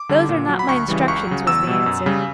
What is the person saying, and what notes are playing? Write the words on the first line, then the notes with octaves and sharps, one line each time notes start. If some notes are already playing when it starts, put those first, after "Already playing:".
'Those are not my instructions,' was the answer.
Already playing: D6
D3 G3
A#2
F#3
B5
D2 C#6
C#3 E3 G3
C#2 C#6
C#3 F#3
E2 E6
B2 G3
F#2
C#3 G3